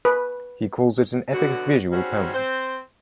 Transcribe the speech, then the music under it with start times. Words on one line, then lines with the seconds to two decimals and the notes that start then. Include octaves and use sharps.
He calls it an epic visual poem.
0.05 B4
1.33 B2 D3 F#3 F#4
1.93 G3 G#3 C4 C#4 D#4 F#4
2.34 C4 C5